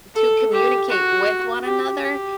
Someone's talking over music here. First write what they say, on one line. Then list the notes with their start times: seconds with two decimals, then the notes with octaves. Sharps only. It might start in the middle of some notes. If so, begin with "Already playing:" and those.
to communicate with one another,
0.15 A4
0.52 G4
0.89 F#4
1.64 G4
2.01 G4